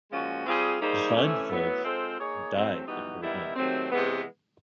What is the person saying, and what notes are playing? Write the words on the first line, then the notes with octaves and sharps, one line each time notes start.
Schweinfurth died in Berlin.
A#2 F3 G#3 C#4 F#4
G3 C4 F4 G#4
G3 A#3 D#4 G#4 C5
C3 E3 A3 C#4
A2 F#3 B3
G#3 C4 F4 A4 C5
A#3 D#4 G#4 C#5
F#3 A3 C4
E3 G3 B3 D#4 F#4
D#3 G3 B3 E4
C3 D#3 F#3 A3 C4
C3 E3 G#3 B3